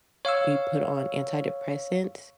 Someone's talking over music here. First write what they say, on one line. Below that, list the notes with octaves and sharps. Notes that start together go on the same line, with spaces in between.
be put on antidepressants,
C#5 F5 C#6 E6